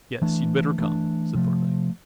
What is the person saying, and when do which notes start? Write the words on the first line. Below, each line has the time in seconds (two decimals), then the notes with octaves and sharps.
"Yes, you'd better come," said Thorndyke.
0.22 E3 A3 D4
0.79 E3 A3 D4
1.35 C3 F3 A3